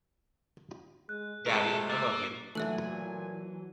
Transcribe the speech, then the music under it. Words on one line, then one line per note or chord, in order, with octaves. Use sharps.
Daddy, I love you.
G#3 F#6
C3 G#3 A3 A#4 A5
A#3 E6 A6
A#2 E3 F#3 A3 E5 G#5 F#6 F#7